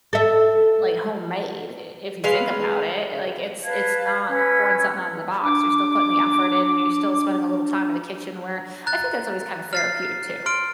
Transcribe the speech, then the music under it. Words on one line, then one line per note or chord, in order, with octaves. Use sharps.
like homemade i if you think about it. Like it's it's not pouring something out of the box. You're still putting the effort in and you're still spending a little time in the kitchen where I think that's always kind of therapeutic, too.
A4 E5
G#3 B4 F5
B4 F5 A5 G#6
C#4 B4 E6 G#6
D4 D6
A#5 F#6 A6
F6 A6 C7
C6 F6 D7